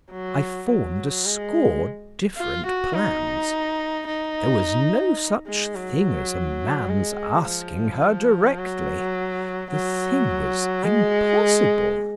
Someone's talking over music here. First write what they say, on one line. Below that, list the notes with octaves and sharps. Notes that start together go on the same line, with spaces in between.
I form'd a score different plans.-- There was no such thing as a man's asking her directly;--the thing was impossible.
F#3
F#3
G#3
F4
F#4
D#4
D#4
G#3
F#3
G#3
F3
F#3
F#3
G#3